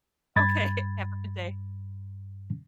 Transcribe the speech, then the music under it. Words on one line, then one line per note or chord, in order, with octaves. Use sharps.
Okay. Have a good day.
G2 B5 G#6 A6